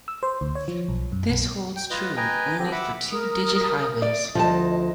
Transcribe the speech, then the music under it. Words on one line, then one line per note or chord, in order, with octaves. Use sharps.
This holds true only for two-digit highways.
E6
C5
D2
C#5
F3
B1
F#2
B1
G5
F4 B4 D#5
B4 D#5 G5 G#5 A#5
D3 F3 C4 G4
E5 F#5 B5 D6 E6
A#4 D#6
D5
D2 F3 D#5 A5